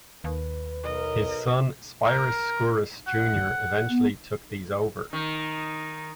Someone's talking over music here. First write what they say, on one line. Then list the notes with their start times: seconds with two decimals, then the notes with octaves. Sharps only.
His son Spyros Skouras Junior eventually took these over.
0.24 D#2 B4
0.83 B1 A#4 D#5
2.05 A#4
3.07 F#5
3.90 B3
5.13 D#3 D#4